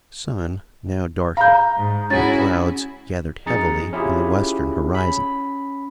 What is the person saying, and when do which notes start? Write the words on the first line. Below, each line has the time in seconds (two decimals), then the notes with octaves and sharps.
The sun now darkened and the clouds gathered heavily on the Western horizon.
1.37 F5 A#5 B5 G6
1.75 G#2
2.10 C#4 E4 F#4 G#4 A6
3.46 F2 D#4 G#4 A#5 A6 C#7
3.93 C#4 E4 F4 G4 G#4
4.93 C#4 B5